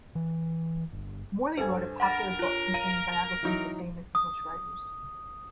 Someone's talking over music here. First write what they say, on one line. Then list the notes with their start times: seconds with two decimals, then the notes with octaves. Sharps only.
Morley wrote a popular book containing biographies of famous English writers.
0.15 E3
0.93 G1
1.57 G2 A4 C5 G#5
2.00 A#4 F#5 B5 A6
2.39 F4 C#5
2.74 F5 A#5 D#7
3.43 E3 F#3 D#4
4.15 D#6